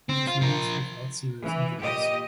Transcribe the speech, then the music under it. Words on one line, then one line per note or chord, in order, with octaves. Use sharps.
He was released without serious injuries.
C4
F4
F3 A#4
E3
A#2 G4 D#5